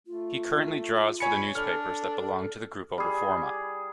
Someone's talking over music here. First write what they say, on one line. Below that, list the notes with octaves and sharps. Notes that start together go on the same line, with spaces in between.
He currently draws for the newspapers that belong to the Grupo Reforma.
A3 F4
C#5 G#5 B5 C#7
D4 A4 F6
A4
G3 G#4